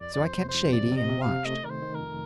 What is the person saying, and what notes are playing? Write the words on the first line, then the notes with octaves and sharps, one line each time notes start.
So I kept shady, and watched.
F2 D5
F2 D5
C5
C3
C5
F2
C3 D5
C3 D#5
C3
F5
C3
A3 D#5
D#3 A#4
C5
D#3
A#4
F2